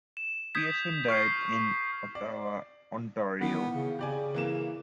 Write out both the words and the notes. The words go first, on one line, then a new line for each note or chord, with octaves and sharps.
Pearson died in Ottawa, Ontario.
E7
D#6 G6 G#6 B6
C#6 F6 C7
D5
D#3 E3 B3
C#3
C#3 G4 D5 G#5
E3 A#3 E7